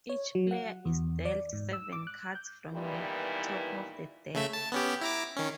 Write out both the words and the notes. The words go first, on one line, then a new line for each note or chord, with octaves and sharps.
Each player is dealt seven cards from the top of the deck.
C#5
F#3
F#5
E2
D5
G#2
E6
D6
F#6
G6
A#2 D#3 E3 G3 B3 E4
C#3 A3 E5
A5
B3 C#4 G4
E4 A#5 D6
D#3 C#4